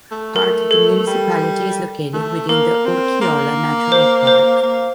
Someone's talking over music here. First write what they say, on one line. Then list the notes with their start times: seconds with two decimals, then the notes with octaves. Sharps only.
Part of the municipality is located within the Urkiola Natural Park.
0.12 A3
0.36 A#4
0.71 A4
1.07 G3
2.14 A3
2.49 A#3 A#4
2.86 C4
3.21 A#3
3.92 C5
4.27 C5
4.63 A#3